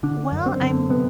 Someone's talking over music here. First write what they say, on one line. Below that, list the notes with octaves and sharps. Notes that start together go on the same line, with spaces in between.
Well, I'm
D3 D4
F#2
C4
D3
C3 B3